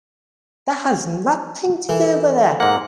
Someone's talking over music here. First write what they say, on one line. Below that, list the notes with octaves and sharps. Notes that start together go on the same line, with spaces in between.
That has nothing to do with it!
E3 A4 A#4
G#2 A#3 F#5